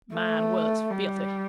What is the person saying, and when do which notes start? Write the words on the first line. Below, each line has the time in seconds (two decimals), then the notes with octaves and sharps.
Mine was filthy.
0.15 A3
0.90 G3